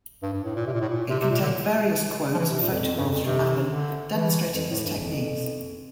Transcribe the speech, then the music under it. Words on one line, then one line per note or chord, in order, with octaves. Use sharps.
It contained various quotes and photographs from Allen demonstrating his techniques.
G2
G2
A2
A#2
C3
A#2
A2
A#2
C3
C3
A#2
D3
F3
E3
C3
A#2
F2
F2
G2
F2
C3
D3
E3
F2
A2
G2
F2